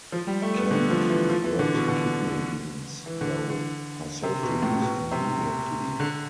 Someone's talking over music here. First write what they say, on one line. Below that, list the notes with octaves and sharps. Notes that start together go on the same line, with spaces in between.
Canned red kidney beans, though, are safe to use immediately.
F3
G3
A3
B3
D3
F3
E3
F3
E3
D3
B2
D3
E3
D3
D3
C3
B2
A2
B2
C3
D3